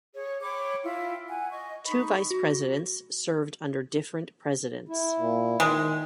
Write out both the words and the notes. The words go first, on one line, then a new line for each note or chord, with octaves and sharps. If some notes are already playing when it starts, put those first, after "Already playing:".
Two vice presidents served under different presidents.
G#4 C#5
C#5 G5 B5 D6
E4 F4 G5
F#5 G#5
D#5 C#6
D#4 B5 C#6
F#4
E4
A#2
D#3 G#3